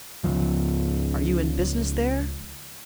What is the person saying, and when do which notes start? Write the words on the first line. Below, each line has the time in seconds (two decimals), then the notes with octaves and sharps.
"Are you in business there?"
0.24 C#2 F3